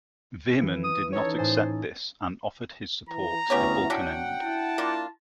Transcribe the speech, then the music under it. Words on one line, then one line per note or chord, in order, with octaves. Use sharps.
Veerman did not accept this and offered his support to Balkenende.
E3
D#6
C#4 D#4 A4 C#5
A2 C5 G#5 A6
E3 A#5
D2 C#3 B3 C#4 E4 G4 C#5
F#3 C#4 D4 F#5 G5
E4 A5
A#3 D4 F4